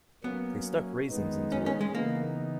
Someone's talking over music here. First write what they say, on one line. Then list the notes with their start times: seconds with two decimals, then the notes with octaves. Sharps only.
They stuck raisins into it.
0.24 F#3 A#3 B3 C#4
1.10 D#3 G#3 B3 D#4
1.52 C#4
1.66 C#4
1.81 G#3
1.95 C#3 E3 A#3 B3 D#4